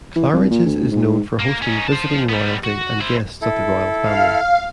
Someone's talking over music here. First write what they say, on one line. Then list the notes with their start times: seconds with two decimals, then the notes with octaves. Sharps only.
Claridge's is known for hosting visiting royalty and guests of the Royal Family.
0.16 E3
0.33 C2
0.51 A#2
0.66 D2
0.91 G#2
1.39 A#3
1.62 C#4 D#4
1.88 C5 A5
2.29 G3 B3
2.64 F#4
3.01 E4 C5
3.42 E4 A4
4.03 F5